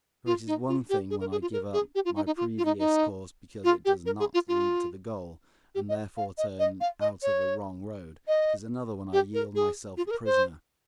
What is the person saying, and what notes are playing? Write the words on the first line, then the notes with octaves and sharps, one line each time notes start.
For it is one thing when I give up my previous course because it does not lead to the goal, and therefore turn out of a wrong road; it is another when I yield myself a prisoner.
F4
D#4
F4
G4
G#4
A#4
G#4
F4
A#4
G#4
G4
F4
D#4
D#4
F4
F4
D#4
D#4
F4
G4
A#4
G#4
F4
F4
G4
D#5
F5
D#5
D#5
F5
D#5
C#5
D#5
G4
A#4
G#4
F4
G#4
A#4
C5